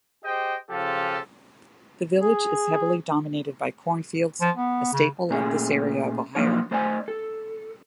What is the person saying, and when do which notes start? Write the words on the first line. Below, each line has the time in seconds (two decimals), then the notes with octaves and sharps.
The village is heavily dominated by cornfields, a staple of this area of Ohio.
0.24 G4 G#4 C5 D#5 G5
0.69 C#3 F3 F4 G4 A4
2.20 G#4
4.41 F3
4.56 B3
4.93 C#3
5.30 A#2 A3 C#4 G#4
6.35 F3 F#3 A#3 D4 C#5
6.71 A3 C5 D5 D#5 G#5
7.08 A4